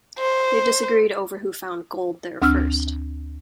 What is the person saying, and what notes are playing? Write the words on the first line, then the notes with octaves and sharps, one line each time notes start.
They disagreed over who found gold there first.
C5
D2 C4 D4 E6 F6